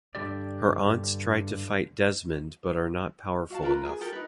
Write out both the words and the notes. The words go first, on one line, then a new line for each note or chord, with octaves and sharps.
Her aunts try to fight Desmond but are not powerful enough.
G2 D3 G4 D5
F#4 F5 A5
F4 A#4 B4 A#5
G#4
G4 A4 A#4
D#4 B4